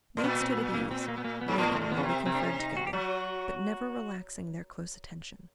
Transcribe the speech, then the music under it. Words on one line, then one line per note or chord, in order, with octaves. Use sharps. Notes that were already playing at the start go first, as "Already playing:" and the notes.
They had stood at ease, waiting while we conferred together, but never relaxing their close attention.
A2
A#2 B3
B3
C4
B3
A#3
C4
A#3
B3
A#3
B3
G#2
A2 B3
A3
A2
B3
C#3
C3
C4
C3 C4
D4
C#4
D#4
F#4
G4
F#3 F#4